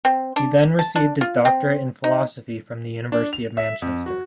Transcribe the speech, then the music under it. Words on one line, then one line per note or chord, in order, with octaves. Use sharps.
He then received his doctorate in Philosophy from the University of Manchester.
C4
D4
A5
D4
F4
C4
D#4
D4
F7
E5
F2
F#4